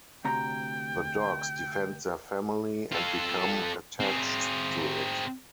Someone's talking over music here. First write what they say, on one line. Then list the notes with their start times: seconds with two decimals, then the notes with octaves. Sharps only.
The dogs defend their family and become attached to it.
0.25 D2 C3 G5 A#5
2.92 F4 A4
4.00 C4 G#4